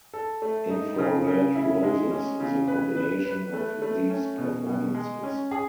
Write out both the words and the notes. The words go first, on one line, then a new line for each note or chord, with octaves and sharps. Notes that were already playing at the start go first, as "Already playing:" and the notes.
"Infrared Roses" is a compilation of these performances.
A4
A3
D#4
C#3
C#3
E4
G#3
C#4
C#3
B4
B4
B4
A3
A3
C#4
B2
B2
G#3
C#4
G#4